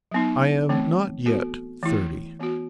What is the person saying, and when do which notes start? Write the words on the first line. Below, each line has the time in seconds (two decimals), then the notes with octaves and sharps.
'I am not yet thirty.'
0.11 F#3 B3 D#4
0.69 E3 A3 C4
1.26 B3 F#4 A4
1.83 E3 A3 E4
2.39 E3 B3 F#4